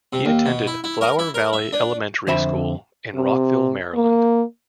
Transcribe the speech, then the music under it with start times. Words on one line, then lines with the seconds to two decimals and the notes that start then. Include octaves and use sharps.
He attended Flower Valley Elementary School in Rockville, Maryland.
0.13 C3
0.25 D#2
0.46 B2
0.67 E4
0.84 E4
1.01 A#4
1.19 E4
1.34 A#4
1.53 E5
1.73 D4
2.27 F2 D3 C5 E5 B5
3.15 C3
3.94 A#3